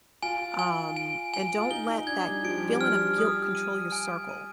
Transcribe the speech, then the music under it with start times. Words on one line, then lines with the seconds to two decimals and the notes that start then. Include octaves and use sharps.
Um, and don't let that feeling of guilt control your circle,
0.23 F4 G#5
0.59 G#5
0.97 G#5
1.34 G#5
1.58 F4
1.70 D#4 G7
1.88 D#4
2.07 D4 G#6
2.25 G3
2.44 F3 D7
2.51 G3
2.58 F3
2.69 G3
2.81 F6
2.94 F3
3.18 G3 D#6
3.55 D#7
3.92 G#5
4.29 D#7